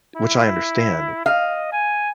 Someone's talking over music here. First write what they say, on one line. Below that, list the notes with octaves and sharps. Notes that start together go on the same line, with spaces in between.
which I understand.
E4
D#5 F5
G#5